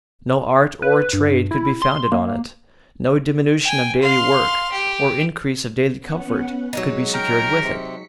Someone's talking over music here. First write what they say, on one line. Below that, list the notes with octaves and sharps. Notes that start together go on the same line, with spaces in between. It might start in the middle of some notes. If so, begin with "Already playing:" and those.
No art or trade could be founded on it; no diminution of daily work or increase of daily comfort could be secured with it.
B4
G2
E4
C6
A#3
G5 G#5
F5 C6
G4
B3 C#4 F#5
F#3 G#3 D#4 B6 C#7
A#4 G5 A#5 F6
C3